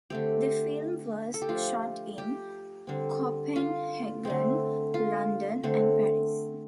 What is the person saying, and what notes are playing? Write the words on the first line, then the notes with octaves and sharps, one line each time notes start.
The film was shot in Copenhagen, London and Paris.
D3 A3 C4 G4
A4
G4
F3 A3 D4 F4
G4
D3 G3 C4
F4
D3 A3 C4
F4
D3 A3 C4